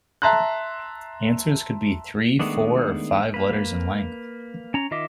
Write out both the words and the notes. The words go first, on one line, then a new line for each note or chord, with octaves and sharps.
Answers could be three, four, or five letters in length.
E5 A5 A#5 C6 F#6
D#3 G#3 A3 B3 D4
A#3 B4
C#4 A#5
D#3 F4 D#5 E5 D6